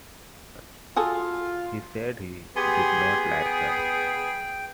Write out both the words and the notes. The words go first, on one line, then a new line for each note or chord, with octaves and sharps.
He said he did not like her.
F4 F#4 G#4 A4
B3 G4 G#4 G#5 C6
G5